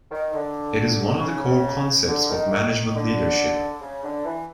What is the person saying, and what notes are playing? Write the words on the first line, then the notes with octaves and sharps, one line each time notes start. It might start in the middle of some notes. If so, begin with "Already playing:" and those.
It is one of the core concepts of management leadership.
D#3
D3
C#3
D3
D#3
D#3
D3
C#3
D3
E3